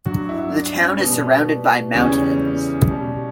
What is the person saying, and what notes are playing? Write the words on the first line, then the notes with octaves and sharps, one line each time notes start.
The town is surrounded by mountains.
G2 F#3 F#4
E4
D4
C#4
B2 G3 B3
E2 C#3 E3 G3 C#4
B2 G3